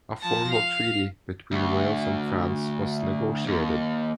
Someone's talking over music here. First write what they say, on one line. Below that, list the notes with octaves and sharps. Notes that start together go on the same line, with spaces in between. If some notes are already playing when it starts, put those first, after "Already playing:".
A formal treaty between Wales and France was negotiated.
F3 A5 A#6
F5 F7
D2
D#2